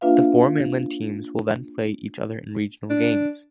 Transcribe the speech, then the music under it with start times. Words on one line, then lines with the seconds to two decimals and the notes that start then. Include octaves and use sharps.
The four mainland teams will then play each other in regional games.
0.01 A#3 D4 F4 B4 E5 F5
2.90 D4